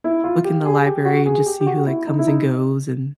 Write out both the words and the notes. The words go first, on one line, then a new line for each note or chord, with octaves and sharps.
look in the library and just see who," like, "comes and goes and
E4
F4
G4
G#4
G4
F#4
G#4
G4
G4
F#4
E4
D#4
E4
D#4